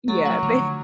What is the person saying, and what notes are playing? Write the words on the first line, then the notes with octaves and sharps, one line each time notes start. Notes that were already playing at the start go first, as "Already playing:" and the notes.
yeah, they
F#3 A3
F3
D3